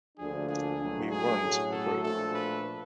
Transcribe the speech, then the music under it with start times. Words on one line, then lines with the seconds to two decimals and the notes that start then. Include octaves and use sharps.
We weren't a group.
0.18 D2 D3 F3 A#3 D4 G#4
0.49 G#4
0.79 B2 F#3 A3 D4 F#4
1.10 G#4
1.41 A2 F#3 A3 C#4 F#4
1.72 A4
2.02 A#2 F3 A3 D4 A4
2.34 B4